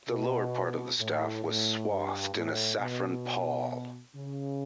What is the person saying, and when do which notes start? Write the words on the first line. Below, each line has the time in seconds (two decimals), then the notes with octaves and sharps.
The lower part of the staff was swathed in a saffron pall.
0.09 B2
0.99 A2
1.45 A2
1.90 G2
2.35 A2
2.80 B2
4.16 C#3